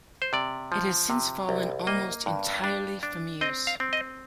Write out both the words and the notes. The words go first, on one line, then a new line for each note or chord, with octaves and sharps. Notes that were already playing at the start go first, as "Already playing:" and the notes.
It has since fallen almost entirely from use.
C5
C3 D5
F3
C3
C2
A#3 D#5
G2
D4
D4
C4 D#5
F5
C4
D#5